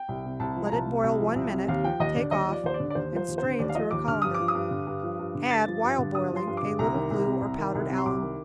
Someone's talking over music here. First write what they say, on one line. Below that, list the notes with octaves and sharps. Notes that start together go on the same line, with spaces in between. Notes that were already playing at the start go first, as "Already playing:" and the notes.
Let it boil one minute, take off and strain through a colander. Add, while boiling, a little glue or powdered alum.
Already playing: G5
C2
C3
C2 A5
F3
A#5
C2 A5
C3
C2
F3
C2
C3
D#2 F5
F3 G5
D#2 D#5
D3 D5
D#2 D#5
F3 D5
D#2 C5
D5
D3
D5
D#2 C5
F3 C5
D#2
C5
D3
D#2 D5
F5
F3 D#5
D#2 D6
D3 F6
G2 D#6
D6
F3
D#6
G2
D3
G2
F3
G2
D3
G2 A6
F3
G2
D3
G2 D#6
F3
C6
G2
D6
D3
C2 A#5
D#3
C2
C3
C2
D#3
C2
C3
C6
C2 D6
D#3